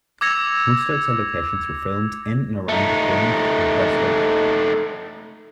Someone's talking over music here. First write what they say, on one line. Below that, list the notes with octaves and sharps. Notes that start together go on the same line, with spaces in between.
Most outside locations were filmed in and around Bournemouth and Christchurch.
D6 E6 G#6 A#6 C#7 F7
A3 D#4